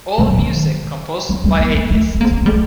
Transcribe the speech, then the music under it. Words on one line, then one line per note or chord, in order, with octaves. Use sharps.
All music composed by Atheist.
A2
F3
D#3
F3
G3
A#3
A#3
A3
C4
A#3
C4
A#3
G3
A3